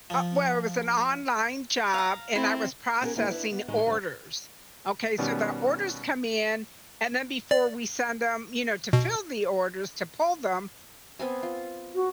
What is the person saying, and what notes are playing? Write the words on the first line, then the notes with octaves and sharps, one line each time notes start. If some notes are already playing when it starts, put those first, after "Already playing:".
Uh, well, it was an online job and I was processing orders, okay? So, the orders come in, and then before we send them, you know, to fill the orders to pull them,
F3
F5 A#5
C4 E4
B3 C#4 E4 F#4 G#4 A#4
G#2 D3 E3 A#3 E4 G4
D4 E4 B4
B3
A2 D#3 E3 G3 G#3 D#4
E2 G#2 D3 G3 D4
B2 D#3 G3 B3 C#4
D5
B2
B3 C4 G#5
F4
F#4